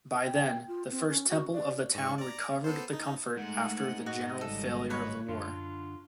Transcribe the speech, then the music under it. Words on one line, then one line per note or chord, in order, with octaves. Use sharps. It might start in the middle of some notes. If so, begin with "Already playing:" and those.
By then, the first temple of the town recovered the comfort after the general failure of the war.
G5
F4
C4
C#4
F#4
D5
G#2 C#6
D5 A#5
B3 A4 C5
D#4
G#2 G#3 A3 F#5
F#4 D#5
G#1 C#3 G3 A4
B4 C#5 D#5 B5
F#2 D3 F4